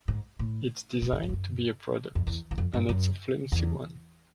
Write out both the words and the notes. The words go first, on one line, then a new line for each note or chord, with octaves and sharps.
It's designed to be a product, and it's a flimsy one.
G#2
A2
A2
G#2
G#2
F2
F#2
F2
E2
E2
F2
G2
F#2
E2